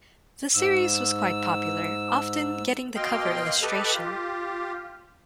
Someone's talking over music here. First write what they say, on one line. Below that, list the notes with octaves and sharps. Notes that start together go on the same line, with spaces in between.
The series was quite popular, often getting the cover illustration.
G#2 E6
B2 A#3 D#5 F5 G5 C6
G4 A4 B4 D#5
F4 G4